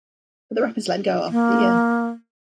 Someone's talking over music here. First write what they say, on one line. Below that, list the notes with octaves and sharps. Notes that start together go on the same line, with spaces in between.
But the Rapids let him go after the year.
A#3